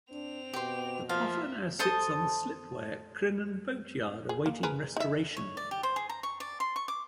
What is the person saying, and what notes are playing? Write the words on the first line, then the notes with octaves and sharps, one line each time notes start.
The puffer now sits on the slip way at Crinan boatyard awaiting restoration.
C4 D4 F7
B2 G4 C6
F3 A#3 E5 F5
A4 C5 A5 D#6
G#4
A#3
G#4 A#4 B4
D#4 E5
C#5
D5
G4
C5
G#4
A#5
C#6
D5
C6
C#6
D6